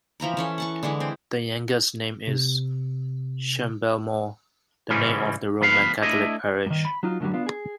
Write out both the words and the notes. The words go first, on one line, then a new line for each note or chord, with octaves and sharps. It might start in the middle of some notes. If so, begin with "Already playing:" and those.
The youngest name is Shanballymore, the name of the Roman Catholic parish.
E3 F3 A#5 B5
E3 C#4 A4
F#5 A5 C#6
D3 E3 G#3 E4
C4
C3
G#2 C#3 E3 G3 G#3 C#4
D2 F3 B3 B4 F5
A3 D4 E4 D#5
G2 D#3
B5
F#3 D#4 F4
F#2 A2 D3 E3 F#3 G3
B3 D4 F4
G#4